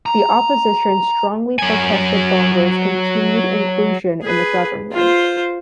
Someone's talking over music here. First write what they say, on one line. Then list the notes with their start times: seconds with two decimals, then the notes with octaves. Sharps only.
The opposition strongly protested Bongo's continued inclusion in the government.
0.06 A#5
1.59 F#3 G#5
4.23 G#4 B4
4.92 F4 C5